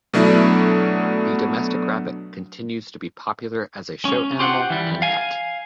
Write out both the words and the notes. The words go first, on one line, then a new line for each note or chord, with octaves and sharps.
The domestic rabbit continues to be popular as a show animal and pet.
B2 F#3 A3 D4 E4
C#4
F4 G4 C5 D5 F#5
E3 G3
F5 G#5